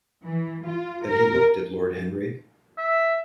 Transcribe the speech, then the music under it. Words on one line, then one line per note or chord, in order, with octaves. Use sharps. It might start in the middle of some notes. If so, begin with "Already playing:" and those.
Then he looked at Lord Henry.
E3
F4
A#4
E5